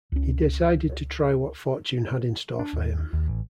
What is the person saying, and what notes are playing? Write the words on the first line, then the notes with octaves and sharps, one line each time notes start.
He decided to try what fortune had in store for him.
C#2 C#4
D4
D#2
D#2
A1